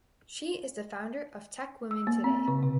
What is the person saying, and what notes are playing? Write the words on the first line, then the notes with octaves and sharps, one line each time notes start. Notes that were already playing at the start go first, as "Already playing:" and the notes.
She is the founder of Tech Women Today.
E6
A#3
C4
C#3
C3